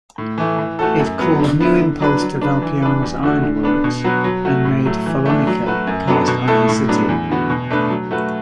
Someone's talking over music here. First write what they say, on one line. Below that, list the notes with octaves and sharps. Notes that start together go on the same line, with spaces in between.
It called new impulse to Valpiana's ironworks and made Follonica cast iron city.
A2
E3 A3
E3
A3 F#4 A4
F#2
F#3 B3
D3
B3 E4
D3
F#3 D4 B4
F#3
D4 B4
E3
D4 B4
E2
D3 A3 F#4
D3
B3 D4 B4
B2
F#3 B3 F#4 B4
F#3
A3 F#4
A2
F#3 A3
E3
A3 D4
F#3
A3 F#4 B4
F#2
F#3 B3 D4 A4
B2
A3 E4 A4
A2
F#3 B3 D4
E2
D3 B3 F#4
B2
A3 D4 B4
F#3
A3 F#4 B4